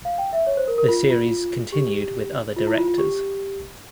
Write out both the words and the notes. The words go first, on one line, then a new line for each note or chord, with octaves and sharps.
The series continued with other directors.
F5
G5
E5
C#5
C5
A#4
A#4
F4
F4
G4
F4
E4
F4
F4
G4